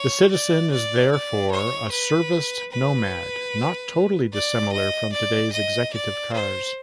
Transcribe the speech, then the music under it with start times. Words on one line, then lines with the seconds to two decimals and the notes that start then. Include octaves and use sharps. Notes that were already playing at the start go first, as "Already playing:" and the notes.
The citizen is therefore a serviced nomad not totally dissimilar from today's executive cars.
Already playing: C#5
0.31 D5
0.72 D5
1.11 D5
1.52 C#5
1.92 B4
2.72 B4
4.33 D5
4.73 D#5
5.13 D5
5.53 D#5
5.93 D5
6.33 C5